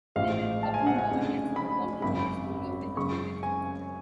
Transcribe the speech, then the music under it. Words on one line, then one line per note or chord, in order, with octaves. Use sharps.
There were a couple more attempts in the following years to reopen the brewery.
A1 G#2 F3 G#3 F5
A5
G#5
F#5
G#5
F1 F2 C#3 G#3 D4
B5
G#1 F#2 C#3 B5
F#2 C#3 G#3 C#6
G#5